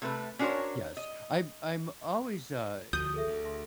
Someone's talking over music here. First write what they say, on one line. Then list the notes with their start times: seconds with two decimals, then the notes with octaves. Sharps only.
Yes. I'm I'm always, uh,
0.02 C3 A3 B4
0.39 C#4 D4 F#4 A#4 C5 C#5
0.97 D#5
2.93 D2 D3 F3 F#4 D#6 G6
3.14 G#4 A4 E5
3.27 D2
3.44 E5 A5 C6